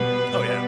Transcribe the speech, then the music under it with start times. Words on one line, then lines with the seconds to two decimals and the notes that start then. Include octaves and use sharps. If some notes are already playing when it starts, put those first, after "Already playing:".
Oh, yeah,
Already playing: B2 G3 B3 B4
0.33 B2 G3 B3